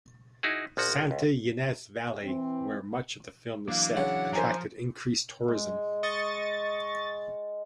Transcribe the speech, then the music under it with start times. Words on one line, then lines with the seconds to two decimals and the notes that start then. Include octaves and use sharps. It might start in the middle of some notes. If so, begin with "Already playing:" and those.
Santa Ynez Valley, where much of the film is set, attracted increased tourism.
0.43 D#4 E4 F#4 G#4
0.77 A#1 F3 F#4
1.11 C#2
2.23 E3 C4
3.68 E3 F#3 A#3 D4 F5
3.97 C#3 F#5
4.33 F3 C5 G#5 A#5
5.48 G#3
6.03 D#5 C#6 A6